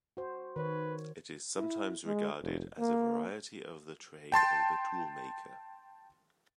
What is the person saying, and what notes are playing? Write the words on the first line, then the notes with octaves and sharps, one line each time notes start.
It is sometimes regarded as a variety of the trade of the toolmaker.
F#4 C5
D#3 B4 C#5
E4
G#3
F1
A#3
G5 A5 C6 A6